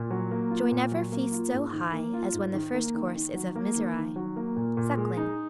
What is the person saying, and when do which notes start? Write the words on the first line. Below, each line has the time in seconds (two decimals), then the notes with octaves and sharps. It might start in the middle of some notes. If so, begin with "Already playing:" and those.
"Joy never feasts so high As when the first course is of misery." --SUCKLING.
Already playing: A#2
0.10 F#3
0.31 A#3
0.50 F4
0.71 A#2
0.91 F#3
1.12 A#3
1.32 F4
1.53 G#2
1.73 D#3
1.93 A#3
2.13 F4
2.33 G#2
2.54 D#3
2.74 A#3
2.94 D#3
3.15 D#3
3.35 F#3
3.55 A#3
3.75 D#3
3.96 D#3
4.16 F#3
4.36 A#3
4.56 A#2
4.77 A#2
4.97 G#3
5.17 D#4